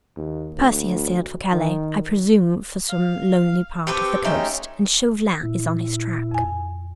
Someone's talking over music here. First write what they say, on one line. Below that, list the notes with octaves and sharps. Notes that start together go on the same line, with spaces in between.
Percy has sailed for Calais, I presume for some lonely part of the coast, and Chauvelin is on his track.
D#2
D2
D#3
F5
C4 G4 A4 B4 G5 C#6
G#3 A3 C#4 D#4 G5
A#2 E4
F2 G#5